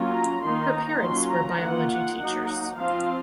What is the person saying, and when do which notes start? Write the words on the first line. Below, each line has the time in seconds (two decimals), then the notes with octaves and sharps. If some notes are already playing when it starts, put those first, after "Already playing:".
Her parents were biology teachers.
Already playing: F#3 A#3 C#4 F4
0.14 A#5
0.43 D#3 A#3 D#4 C6
0.72 A#5
1.01 F#3 A#3 C#4 F4 C6
1.31 A#5
1.60 D#3 A#3 F4 F#5
1.89 F#5
2.18 F#3 A#3 D#4
2.47 F#5
2.77 F3 C4 F4 F5